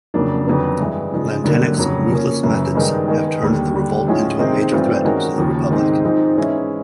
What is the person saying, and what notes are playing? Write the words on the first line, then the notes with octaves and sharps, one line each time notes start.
Lantenac's ruthless methods have turned the revolt into a major threat to the Republic.
F2 C#3 F#3 A#3 D4
F2 D3 F#3 B3
G2 E3 G#3
C#3 F3 G#3
G2 D3 F#3 A#3
F2 C#3 F#3
F3 A#3 C#4
F#2 C#3 E3
G2 D#3 G#3 B3 D#4
D#3 G#3 B3 D#4 G#4
D#2 D3 G3
D#2 D3 G3
A2 F3 G#3 C#4 F4
C3 D#3 G#3 C4 D#4
G2 E3 A3 C4 F4
D#3 G#3 C#4 F#4 A#4
D#2 C#3 F3
G#2 D#3 G#3 C4 D#4
G#2 F3 G#3 C4 D#4
E3 G#3 C#4 E4